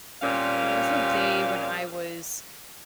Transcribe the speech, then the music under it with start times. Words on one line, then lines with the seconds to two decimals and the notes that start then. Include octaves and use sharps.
There was a day when I was
0.22 A#2 G3 C4 C#4 F5